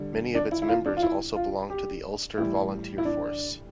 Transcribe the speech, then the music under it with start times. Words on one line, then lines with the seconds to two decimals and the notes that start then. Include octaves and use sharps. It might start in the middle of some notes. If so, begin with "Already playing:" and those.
Many of its members also belonged to the Ulster Volunteer Force.
Already playing: D3 G3
0.35 D4
0.52 E4
0.62 E4
0.69 F4
0.86 D4
0.97 F4
1.02 E4
1.36 F4
1.70 G4
2.38 A2 E3 G3 E4
2.98 E4
3.05 D4